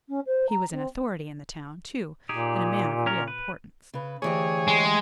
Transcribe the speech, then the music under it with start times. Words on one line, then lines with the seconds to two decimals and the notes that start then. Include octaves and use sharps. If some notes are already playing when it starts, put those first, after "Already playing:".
He was an authority in the town, too, and a man of real importance.
0.09 C#4
0.27 C5
0.50 A#5
0.72 C4
2.29 A#2 D#4 G4 G#4
3.06 C#4 A#4
3.28 B4
3.94 C#3 B4
4.22 D2 E3 G4 G#4 C#5
4.68 G#3